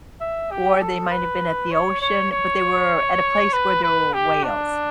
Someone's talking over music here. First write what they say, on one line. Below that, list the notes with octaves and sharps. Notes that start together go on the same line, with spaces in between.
or they might have been at the ocean, but they were at a place where there were whales,
E5
G4
A4
B4
C#5
C#5
C#5
B4
B4
G4
D4